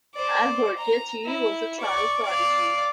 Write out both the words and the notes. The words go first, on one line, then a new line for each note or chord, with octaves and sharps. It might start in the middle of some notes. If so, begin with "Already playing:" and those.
Alberghetti was a child prodigy.
C5 D5
A#5
E4
D5 C#6
D5 F5